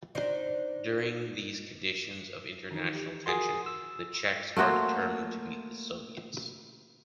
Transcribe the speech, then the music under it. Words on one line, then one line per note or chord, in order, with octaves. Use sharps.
During these conditions of international tension, the Czechs are determined to beat the Soviets.
D4 D#4 C5
D#3 E3 D#4
G4
F#4 G#4 A#4 F#5 C6
E6
A3 A#3 F#4 C5